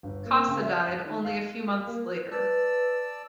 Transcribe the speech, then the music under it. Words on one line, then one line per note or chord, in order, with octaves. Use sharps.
Cossa died only a few months later.
G1
A#3
C#3
E5
F#6
D#3
F5
A#3
B4 D5 A5 E6